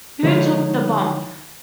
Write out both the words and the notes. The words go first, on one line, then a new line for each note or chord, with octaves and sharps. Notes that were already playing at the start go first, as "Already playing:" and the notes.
Who Took the Bomp?
D3 F3 G#3 D#4 E4 C#5